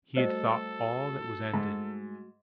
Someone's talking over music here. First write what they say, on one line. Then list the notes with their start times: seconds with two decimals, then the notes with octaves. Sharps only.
He had thought all that was ended.
0.16 G3 A3 F#4 A4 C5 D5 D#5
1.54 G#2